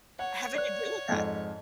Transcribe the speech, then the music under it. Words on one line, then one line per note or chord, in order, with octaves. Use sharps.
having to deal with that.
C#5 F#5
D5 F#6
F2 G#2